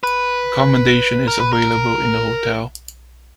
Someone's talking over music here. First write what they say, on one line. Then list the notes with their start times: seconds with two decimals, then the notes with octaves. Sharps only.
Accommodation is available in the hotel.
0.03 B4
1.28 A#4
1.40 B4
1.53 A#4